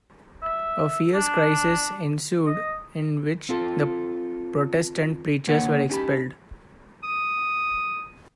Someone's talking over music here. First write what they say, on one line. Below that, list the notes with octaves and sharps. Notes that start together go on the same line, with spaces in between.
A fierce crisis ensued in which the Protestant preachers were expelled.
E5
D4
D#5
C4 F4 A4
D3 A#3 B4 C#5 F#5
C#4 D#4 G4 G#5 A5 B5
D#6